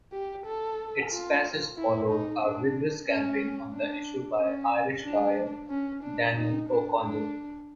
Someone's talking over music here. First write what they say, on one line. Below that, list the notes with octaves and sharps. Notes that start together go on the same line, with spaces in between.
Its passage followed a vigorous campaign on the issue by Irish lawyer Daniel O'Connell.
G4
A4
F4
E4
D#4
D4
C#4
D4
C#4
D4
C#4
D4
D#4
D4
D4